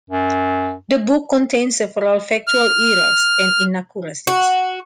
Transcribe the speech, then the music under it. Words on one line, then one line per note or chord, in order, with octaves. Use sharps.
The book contains several factual errors and inaccuracies.
F#2
F6
F#4